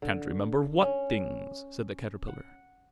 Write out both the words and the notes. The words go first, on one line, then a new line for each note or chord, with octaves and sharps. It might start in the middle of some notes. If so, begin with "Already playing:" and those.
'Can't remember WHAT things?' said the Caterpillar.
D3
C#4
F#5